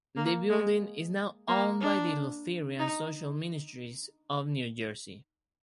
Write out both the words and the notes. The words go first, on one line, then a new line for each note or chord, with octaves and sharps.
The building is now owned by the Lutheran Social Ministries of New Jersey.
A#3
G#3
A#3
D4
D#4